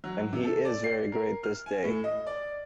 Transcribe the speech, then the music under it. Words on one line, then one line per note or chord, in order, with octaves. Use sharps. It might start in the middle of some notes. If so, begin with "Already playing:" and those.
And he is very great this day.
F#3
C3
A4
D5
C7
A#4
F6
G#5
A2
D#5
D5